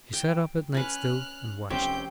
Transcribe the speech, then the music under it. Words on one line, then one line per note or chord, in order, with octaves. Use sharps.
She sat up at night still, and watched.
G5
C#4 B4 F6 F#6
F1 F2 C4 C#4 G4 C#5 G5 G6